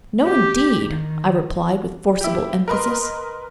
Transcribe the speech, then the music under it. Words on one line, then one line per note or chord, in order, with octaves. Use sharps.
"No, indeed!" I replied with forcible emphasis.
G4
D#3
E4 G4
A#4 B4 D#5 C6